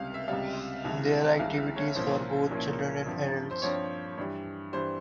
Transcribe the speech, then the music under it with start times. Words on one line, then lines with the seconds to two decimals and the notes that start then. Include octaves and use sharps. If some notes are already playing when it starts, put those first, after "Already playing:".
There are activities for both children and adults.
Already playing: C#2 C3 G3 F5
0.14 E5
0.28 C#2 C3 G3 F5
0.85 C2 C3 E3 G#3
1.39 C2 C3 E3 G#3 F5
1.57 E5
1.76 C#5
1.95 C2 A#2 F3 A#3 C#4 C5
2.50 C2 A#2 F3 A#3 C#4
3.06 G2 F3 C4
3.51 C5
3.62 G2 F3 C4 C#5
4.18 G2 E3 G3
4.73 G2 E3 G3 C5